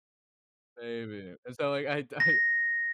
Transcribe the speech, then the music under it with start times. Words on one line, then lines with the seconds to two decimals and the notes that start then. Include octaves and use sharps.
Maybe. And so like, I d I
2.20 A#6